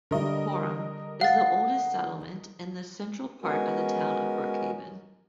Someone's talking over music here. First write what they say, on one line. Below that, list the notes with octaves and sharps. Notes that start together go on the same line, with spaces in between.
Coram is the oldest settlement in the central part of the town of Brookhaven.
D3 G3 A#4 D#5
F5 F#5 A6
G#3 B3 C#4 F#4 A#4 G#5